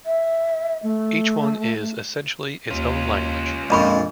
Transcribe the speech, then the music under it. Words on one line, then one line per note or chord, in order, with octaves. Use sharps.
Each one is, essentially, its own language.
E5
A3
D#2 C#4 F4
A#1 F2 F3 G#3 D#5 B5 C#6